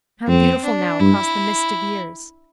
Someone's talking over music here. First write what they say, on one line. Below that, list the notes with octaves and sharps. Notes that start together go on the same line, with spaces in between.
How beautiful now across the mist of years!
F2 C4
D4
G2 E4